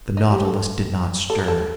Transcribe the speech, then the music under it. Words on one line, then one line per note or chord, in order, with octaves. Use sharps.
The Nautilus did not stir.
D#4
G4
A4
A4
A#4
A4